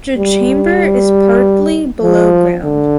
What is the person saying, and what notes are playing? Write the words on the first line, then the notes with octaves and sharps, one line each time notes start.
The chamber is partly below ground.
G3
F3
D3